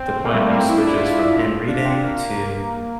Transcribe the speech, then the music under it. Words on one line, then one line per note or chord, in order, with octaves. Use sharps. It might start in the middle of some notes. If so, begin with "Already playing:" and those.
the point of view switches from him reading to
Already playing: C4
A3 A#3
G3
A#3
C4
E4
D4
E4
F4
D4
C4
A#3